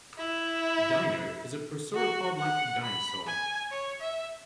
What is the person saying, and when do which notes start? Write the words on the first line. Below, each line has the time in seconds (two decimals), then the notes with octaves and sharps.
Dino is a prosauropod-like dinosaur.
0.18 E4
1.94 F#4
2.39 F#5
2.83 B5
3.27 G#5
3.71 C#5
4.01 E5